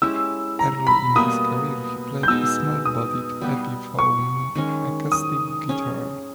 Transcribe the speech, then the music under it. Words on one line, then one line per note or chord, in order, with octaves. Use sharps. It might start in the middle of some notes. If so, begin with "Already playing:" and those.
Early in his career he played a small-bodied Epiphone acoustic guitar.
G#3 C#4 E4 G4 E6
A#5
B5
B2 G3 A#3 D#6
G6
B2 G#3 D#4 E6
D#6
G3 B3 G4
C#6
D#3 G#3 C#4
D#6
C#4 G#4 C#5